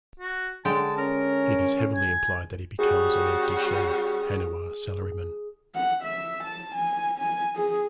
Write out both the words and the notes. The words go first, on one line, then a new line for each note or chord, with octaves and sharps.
It is heavily implied that he becomes an empty shell, Haniwa Salaryman.
F#4
D3 G#3 G5 A5
C#4 A#4
G#5
G3 C#4 F#4 G#4
F#5
E5
A5
G#5
G#5
G#4